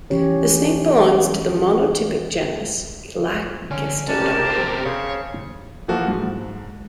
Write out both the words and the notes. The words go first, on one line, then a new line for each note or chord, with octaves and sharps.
The snake belongs to the monotypic genus "Elachistodon".
E3 C#4 G4 C#5
D3 C#4
C3 C#4 D4 G4 A#4 A5
D2 B2 C5
C#3 C5 C#5
E3 F3 A#3 F#4 A4
G#2